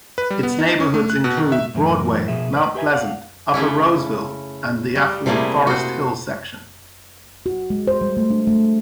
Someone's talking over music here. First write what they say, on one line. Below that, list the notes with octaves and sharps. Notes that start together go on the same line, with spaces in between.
Its neighborhoods include Broadway, Mount Pleasant, Upper Roseville and the affluent Forest Hill section.
B4
G3
B3
D#4
C#4
A3
F#6
B2
D#3
E5
F#2 A2 E3 A#4
B2 F3 G#4 E5
B4 D5
G4 B4 E5 G#5
D5 F5 F#5
C#3 A3 C#4 E4
G3
C3 G3 A3 A#3 E4 G#4
F#4 C5
F#4
G#3
C5
G3
A3
D4
A3